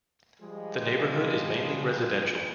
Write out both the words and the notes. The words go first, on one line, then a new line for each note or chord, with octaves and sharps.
The neighborhood is mainly residential.
F3 G3 G#3